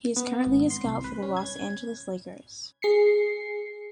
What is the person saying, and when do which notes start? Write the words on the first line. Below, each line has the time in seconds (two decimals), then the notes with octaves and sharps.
He is currently a scout for the Los Angeles Lakers.
0.16 B3
0.46 G#1
0.70 C6
0.84 C2
1.04 B4
1.22 C#4
1.37 G#6
2.82 G#4 C7 C#7